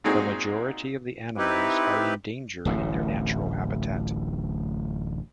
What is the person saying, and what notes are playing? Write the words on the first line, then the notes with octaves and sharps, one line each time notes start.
The majority of the animals are in danger in their natural habitat.
A#2 G#3 C4 D#4 F#4 G#4
C4 D#4 E4 G4 B4
D1 A1 A2